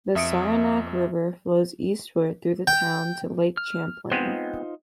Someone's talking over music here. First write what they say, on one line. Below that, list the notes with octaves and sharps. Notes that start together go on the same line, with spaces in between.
The Saranac River flows eastward through the town to Lake Champlain.
F2 E5 D#6 C#7 D7
G5
F6
G#3 B3 C4 D#4 F4 C5